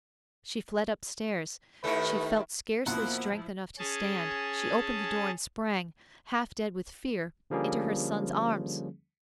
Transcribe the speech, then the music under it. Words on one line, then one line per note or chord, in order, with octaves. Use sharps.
She fled upstairs; she felt scarcely strength enough to stand; she opened the door, and sprang, half dead with fear, into her son's arms.
D#2 D#3 A3 E4 B4
F2 B2 F3 A#3 E4 F#5
C#4 G#4 A5
D3 F3 G3 A#3 C#4 G#4